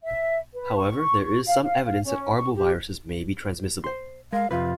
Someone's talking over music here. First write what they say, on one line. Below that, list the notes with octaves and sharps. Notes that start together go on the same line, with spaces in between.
However, there is some evidence that arboviruses may be transmissible.
E5
B4
C#6
C#6
F5
F5
F5
C#4
C#6
G4
C5 C6
G#3 A#4 F5
F2 C3 F4 B4